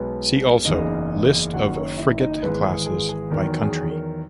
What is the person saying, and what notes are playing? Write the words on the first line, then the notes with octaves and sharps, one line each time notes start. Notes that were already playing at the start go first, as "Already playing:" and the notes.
See also List of frigate classes by country.
Already playing: B1 B2 G#3 B3 B4
F#1 E2 C#3 D#4 D#5
F#1 F#2 D#3 F#4 F#5
C#4 C#5
E4 E5
D#4 D#5
G#1 G#2 E3 G#3 B3 B4
G#4
G#4
G#4
E2 D#3 F#3 A#4
G#4
A#4